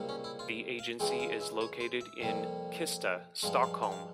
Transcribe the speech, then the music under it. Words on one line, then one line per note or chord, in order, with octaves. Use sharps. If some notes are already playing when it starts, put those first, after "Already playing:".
The agency is located in Kista, Stockholm.
Already playing: C#2 C3 G3 A#3
C#4
E4
F4
F5
C#2 C#3 E3 G#3 G5
F5
E5
C#5
C5
E5
F2 C3 G3 A#3
G2 F3 G#3 F5
F5
G5
F5